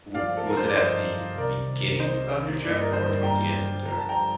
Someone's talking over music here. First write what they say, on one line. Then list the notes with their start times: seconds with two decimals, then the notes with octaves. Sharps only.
W was it at the beginning of your trip or towards the end? Or
0.14 G2 D3 F3 D5 F5
0.37 A4
0.46 A#4
0.57 C5
0.67 D5
0.76 C5 D#5
1.37 C2 C3 D#3 A#4 D5
2.00 C5 D#5
2.61 G2 D3 G3 A#3 D5
2.70 D#5
2.79 A#4 D5
2.92 C5 D#5
3.23 G5 A#5
3.85 G2 D3 F3 A#5
3.98 A5
4.09 G5 A#5